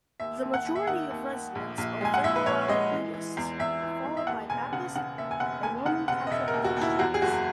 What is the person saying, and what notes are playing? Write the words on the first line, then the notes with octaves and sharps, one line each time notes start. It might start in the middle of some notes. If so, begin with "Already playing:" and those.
The majority of residents are Theravada Buddhists, followed by Baptist and Roman Catholic Christians.
D#2 E5
D#2
F#5
D#2
E5
D#3 F#5
D#2
D#2
A#1
A#1
G#3 G#5
F#5
A#1 E5
B4
A#1 C#5
G#3 D#5
E3
E3
E2
E2 E5
E3
E2
E5
D#2 F#5
E1 G#5
C#3 F#5
C#3 F#5
D#2 E5
G#5
E1 F#5
D#2 G#5
C#3 F#5
E1 F#5
D#5
E1 E5
A#4
D#2
F#4
D#2 E4
E2 F#4
G#4
F#1 F#4